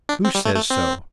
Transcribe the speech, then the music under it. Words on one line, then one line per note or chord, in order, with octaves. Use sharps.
"Who says so?"
D4
C4
G3
A3
A3
C4